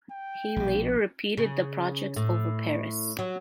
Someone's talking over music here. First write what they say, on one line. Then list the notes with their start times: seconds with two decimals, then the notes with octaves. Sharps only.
He later repeated the project over Paris.
0.12 G5
0.56 A#1 B2
1.37 C#3
2.16 A2
3.19 F#3